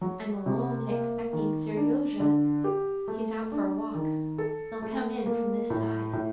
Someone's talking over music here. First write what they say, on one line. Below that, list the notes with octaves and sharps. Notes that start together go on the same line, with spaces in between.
"I'm alone, and expecting Seryozha; he's out for a walk; they'll come in from this side."
F#3
C3
A#3
D#3
D4
D3
G4
A3
D4
D#3
A4
A3
A#3
A2
A2